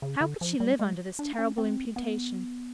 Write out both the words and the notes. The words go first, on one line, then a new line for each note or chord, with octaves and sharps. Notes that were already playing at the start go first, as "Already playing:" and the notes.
How could she live under this terrible imputation?
C#3
D3
F3
G3
G#3
D4
C#4
C4
B3